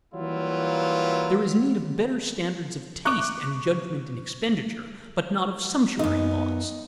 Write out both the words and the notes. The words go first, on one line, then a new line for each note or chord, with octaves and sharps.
There is need of better standards of taste and judgment in expenditure, but not of sumptuary laws.
E3 F#3 G3 A#3 E4 F4
C#6 D6 F#6
F#2 B3 D#4